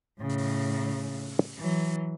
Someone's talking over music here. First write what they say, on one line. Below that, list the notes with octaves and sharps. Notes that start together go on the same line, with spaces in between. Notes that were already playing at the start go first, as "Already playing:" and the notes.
She’s laughing at me because i have soap on my face.
A2 C#3
E3 F#3